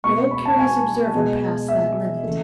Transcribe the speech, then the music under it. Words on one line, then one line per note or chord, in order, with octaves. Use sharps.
No curious observer passed that limit.
B2 G#3 B3 C#6
B5
A5
G#5
B2 G#3 B3
E5
C#3 E3 A3